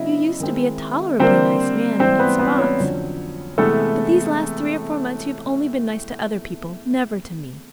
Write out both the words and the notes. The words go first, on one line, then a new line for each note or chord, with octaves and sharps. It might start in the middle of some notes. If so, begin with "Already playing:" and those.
You used to be a tolerably nice man--in spots, but these last three or four months you have only been nice to other people, never to me.
Already playing: C#3 F#3 B3 E4 D#5 E5
D#3 G#3 C4
D3 G3 A#3 C4 C5
G#2 E3 G3 C4 C5
B3 B4
B3 B4
C#4 C#5
F2 D3 F#3
C3 E3 G#3 A3 B3 E4 A4